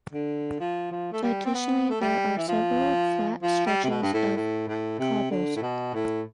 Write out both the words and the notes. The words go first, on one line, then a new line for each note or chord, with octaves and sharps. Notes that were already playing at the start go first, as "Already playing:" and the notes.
Additionally, there are several flat stretches of cobbles.
D3
F3
F3
A3
G3
C4
B3
A3
G3
E3
F3
F3
G3
C3
B2
G2
A2
A2
A2
C3
D3
A2
B2
A2